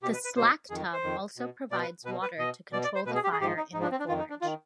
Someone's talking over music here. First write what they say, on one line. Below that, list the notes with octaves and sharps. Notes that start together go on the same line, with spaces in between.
The slack tub also provides water to control the fire in the forge.
B2 G4
B4
B4
B2 C5
F2 D#3 G#4
C5
F2 D#3
B2
B2 D5
B4
B2 B4
B4
B2 D#5
B2 D5
D5
C5
B2 B4
G#4
G4
G#4
G#2 F3 G4
D#4
G#2 D#4
F3 D4
C4
D4
F2 D#3 F4
D#4
D4
F4
D#3